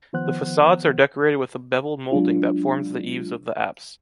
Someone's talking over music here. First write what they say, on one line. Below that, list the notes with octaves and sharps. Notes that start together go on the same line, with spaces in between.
The facades are decorated with a beveled molding that forms the eaves of the apse.
D#3 F3 B3 C5 F#5 F#6
F#3 G#3 D4 F4